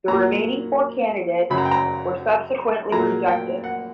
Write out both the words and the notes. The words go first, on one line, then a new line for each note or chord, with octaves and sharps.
The remaining four candidates were subsequently rejected.
A#2 F#3 A#3 A#5
F#2 C#3 F#3 B5
A#5
G5
A#5
A#2 F#3 A#3 A#5
G5
F#5